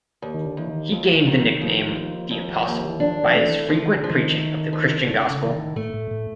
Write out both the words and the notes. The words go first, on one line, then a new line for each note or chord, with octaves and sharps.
He gained the nickname "The Apostle" by his frequent preaching of the Christian gospel.
D#2
D#3
D3
D#2 E3
D#3
D#2 F3
D#3
D#2 F3
D#2
D#2
D#2
E3
F3 D4
F3
F3 A3
E3
E3 F3
D#3
D3
F3
D#3
A3
F3
D3 A3
C#3
A2 E3
D#3
A2 A3
A2
A2